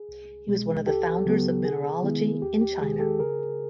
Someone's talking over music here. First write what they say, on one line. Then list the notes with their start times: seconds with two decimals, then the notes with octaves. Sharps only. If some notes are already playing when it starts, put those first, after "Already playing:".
He was one of the founders of mineralogy in China.
Already playing: G#4
0.09 C2
0.48 B2 G#3
0.86 C#2 G4 A4
1.25 C#3 F#3 B3
1.64 C3 G#4
2.03 D#3 G#3 B3 E4
2.42 D#2 G4
2.61 G4
2.80 D#3 G#3 G#4
3.00 G4 A4
3.19 C#3 G#4 A#4